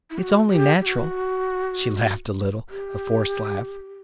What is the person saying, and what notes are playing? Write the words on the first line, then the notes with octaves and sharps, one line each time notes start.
"It's only natural." She laughed a little--a forced laugh.
E4
G4
F#4
G4
G4
F#4
G4